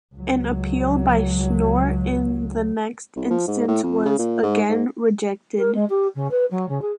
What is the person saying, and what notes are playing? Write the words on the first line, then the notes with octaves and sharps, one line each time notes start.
An appeal by Schnoor in the next instance was again rejected.
C#2 F#3
C2
F3
G#2
A2
F2
C#3
A#2
G#2
G#2
A#4
G#3
G4
C#3
B4
F#3
C#3
G#4